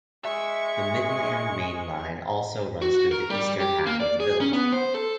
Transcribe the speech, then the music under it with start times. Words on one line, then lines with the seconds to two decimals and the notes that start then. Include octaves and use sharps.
The Midland Main Line also runs through the eastern half of the village.
0.25 G#3 E5 C#6
2.82 F#4
3.11 A#4
3.30 G3
3.60 G4
3.86 A#3
4.00 D5
4.20 G#4
4.41 C#4
4.53 B3
4.73 C5
4.94 A4